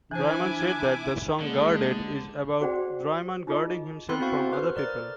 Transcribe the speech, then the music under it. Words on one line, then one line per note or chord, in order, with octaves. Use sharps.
Draiman said that the song "Guarded" is about Draiman guarding himself from other people.
E3 D4 E4 C5 G#5 D6
F#1 D3 G#3 D#5
F#4 G#4 C5 D5 F#5 G5
D#4 F4 G#4 D#5
B3 C4 A4 B5 C6 F#6
E4 F#4 A4 C5 F5 C#6
B4 C5 F6
A4 A#4 D5 F6 A6